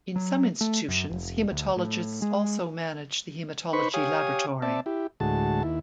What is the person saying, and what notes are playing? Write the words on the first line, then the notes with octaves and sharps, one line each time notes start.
In some institutions, hematologists also manage the hematology laboratory.
F#3
A3
F#2
F1
D2
A2
G#3
D#4 B4 C5 B5 C#6
G4 C#5 F5 G#5 D#6
C4 D5 E5 A5
E4 G4
D2 A2 G#3 F#4 A5
D#2 E4